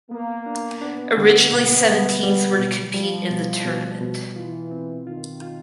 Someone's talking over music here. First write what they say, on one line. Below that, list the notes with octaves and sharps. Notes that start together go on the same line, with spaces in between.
Originally seven teams were to compete in the tournament.
A#3 B3
D4
B3 D4
D3
B2
G3
G3
B2
F3 G3
B2
B2
B2
E3 F4
C4
D#3 F4
F4